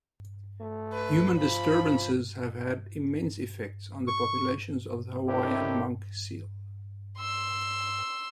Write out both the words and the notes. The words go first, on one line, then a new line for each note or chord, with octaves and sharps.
Human disturbances have had immense effects on the populations of the Hawaiian monk seal.
A3
B4
F3 B5
C#6
A2 C3 D#3 D4 E4 G4
C6 E6